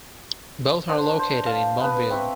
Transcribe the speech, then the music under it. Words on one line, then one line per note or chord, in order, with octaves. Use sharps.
Both are located in Boonville.
D4 C5 F#5
C5
F5 A5
B3 B4
C4 E5 C#6